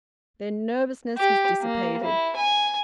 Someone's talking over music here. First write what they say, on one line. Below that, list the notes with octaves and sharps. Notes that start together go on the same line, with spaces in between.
Their nervousness was dissipated.
G4
A#3
E4
G#5